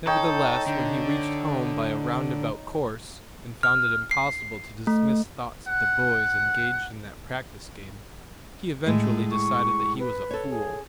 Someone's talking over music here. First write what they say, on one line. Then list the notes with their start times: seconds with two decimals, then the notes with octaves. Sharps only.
Nevertheless, when he reached home by a roundabout course, and found it impossible to dismiss thoughts of the boys engaged in that practice game, he eventually decided that he was a fool.
0.07 D#4 A4 C#5 G5
0.67 D3
3.63 F6
4.11 C7
4.87 A3
5.67 F#5
8.86 A2 G#3
9.31 C#6
9.99 B4
10.31 A4 C#5
10.50 G#4